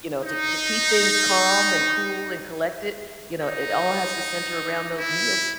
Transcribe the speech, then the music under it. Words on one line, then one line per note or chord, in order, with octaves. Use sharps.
you know, to k to keep things calm and cool and collected, you know, it all has to center around those meals.
D#4
D#4
E4